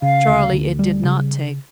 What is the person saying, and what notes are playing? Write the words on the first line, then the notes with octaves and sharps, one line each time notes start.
Charlie it did not take.
C#3 F5
D2
D2
G3
C#3